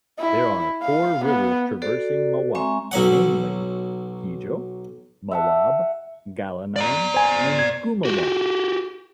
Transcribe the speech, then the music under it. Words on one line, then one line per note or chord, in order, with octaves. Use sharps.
There are four rivers traversing Mawab, namely: Hijo, Mawab, Galinan, and Gumawan.
E4
F5
B3
F#4 A4 C5 D5
G#3 C4 E5 G#5 A#5 C#6
B1 F#3 F#5
E5 F#5 A5
D5 A#5
C5 G#5
G#6
F#4 G4